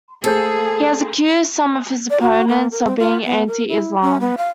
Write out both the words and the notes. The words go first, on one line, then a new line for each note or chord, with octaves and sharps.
He has accused some of his opponents of being anti-Islam.
A3 A#3 G#4 A4 C5 G6
D5
F#4
A#3
A#4
C4
F4
B3
A#4
E4
C#4
B3
F5